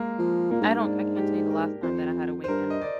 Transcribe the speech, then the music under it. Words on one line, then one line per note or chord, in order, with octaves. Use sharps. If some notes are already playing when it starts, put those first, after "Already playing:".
I don't I can't tell you the last time that I had a weekend trip.
Already playing: G#3 A#3
F3
A#2 A#3
G#2
G2
G#2
D4
G4
A#4
F2 C5
C5
G2 A#4
D#5
D5